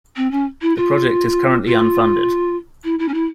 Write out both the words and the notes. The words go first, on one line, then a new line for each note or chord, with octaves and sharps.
The project is currently unfunded.
C4
C#4
E4
F4
F4
E4
E4
C#4
E4